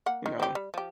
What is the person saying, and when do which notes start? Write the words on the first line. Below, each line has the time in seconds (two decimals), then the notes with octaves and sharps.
you know.
0.06 A#3 F#5
0.26 D#3
0.40 C4 G4
0.55 G3
0.74 F3 G4